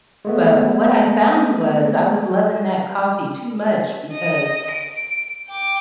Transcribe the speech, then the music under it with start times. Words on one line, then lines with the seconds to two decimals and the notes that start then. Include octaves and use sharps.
But what I found was, I was loving that coffee too much, because,
0.25 G#3 A3 B3
4.13 D#5
4.72 D7
5.48 G5 D6